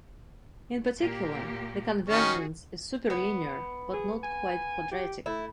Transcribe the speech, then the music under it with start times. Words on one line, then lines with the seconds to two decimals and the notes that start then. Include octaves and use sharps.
In particular, the convergence is superlinear, but not quite quadratic.
1.00 A#2 A#3 G4
2.10 D#3 C#4 F#4 G#4
3.10 B3
3.93 G#4
4.23 G#5
4.91 G4
5.26 A3 E4